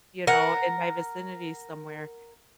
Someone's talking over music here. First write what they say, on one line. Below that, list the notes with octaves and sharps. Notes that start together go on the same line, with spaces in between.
you know, in my vicinity somewhere,
A#4 F#5